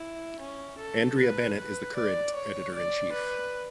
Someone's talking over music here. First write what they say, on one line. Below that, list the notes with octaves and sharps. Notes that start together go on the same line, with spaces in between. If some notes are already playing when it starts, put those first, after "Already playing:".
Andrea Bennett is the current editor-in-chief.
Already playing: E4
C#4
A4
B4
B4
D5
C#5
D5
B4